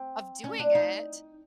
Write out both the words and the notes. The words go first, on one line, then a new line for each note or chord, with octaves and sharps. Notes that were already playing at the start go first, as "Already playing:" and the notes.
of doing it.
Already playing: C4
C#4
D4
D#4